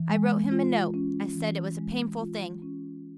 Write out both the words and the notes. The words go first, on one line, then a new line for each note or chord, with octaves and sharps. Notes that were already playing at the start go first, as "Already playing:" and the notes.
'I wrote him a note, I said it was a painful thing.
Already playing: E3
G#3
F4
C#4
E3
G#3
F4
C#4